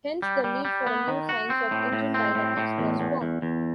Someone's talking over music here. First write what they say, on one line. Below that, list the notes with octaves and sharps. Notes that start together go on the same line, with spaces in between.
Hence the need for a new science of engine dynamics was born.
G3
G3
G3
B3
D#3
F#4
C4
A2
A2
C4
A2
A2
E2
E2
E2
E2